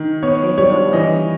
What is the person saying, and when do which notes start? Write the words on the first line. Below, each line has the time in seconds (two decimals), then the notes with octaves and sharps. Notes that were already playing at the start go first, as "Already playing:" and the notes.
they feel like
Already playing: D#3
0.23 B3 C#5
0.58 G3 C#5
0.93 E3 D#5